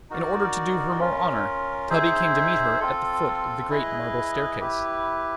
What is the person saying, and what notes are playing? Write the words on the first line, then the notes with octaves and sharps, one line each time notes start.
In order to do her more honour, Tubby came to meet her at the foot of the great marble staircase.
D#4 F#4 A#4 D5
C#4 F4 A#4
D#4 G#4 C5 E5
C4 F4 A4
E4 G#4 B4 D#5
E4 G4 B4